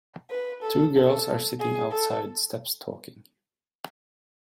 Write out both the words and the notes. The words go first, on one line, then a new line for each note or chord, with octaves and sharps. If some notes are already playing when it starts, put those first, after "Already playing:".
Two girls are sitting outside steps talking.
B4
A4
A4
G#4
A4